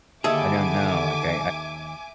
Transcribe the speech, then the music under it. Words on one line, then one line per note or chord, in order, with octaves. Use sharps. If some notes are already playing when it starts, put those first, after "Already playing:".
I don't know, like, I
D#2 D3 E4 G#4 A4 E5 G#5 D6